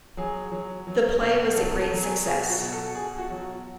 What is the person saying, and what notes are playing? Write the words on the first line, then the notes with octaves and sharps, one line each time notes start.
The play was a great success.
F#3 G#4
F#3
F#3
B2
F#3 A4
A4
F#3
G#4
B2 G#4
F#4
B2
A4
B2 G#4
F#4
F#3
F#4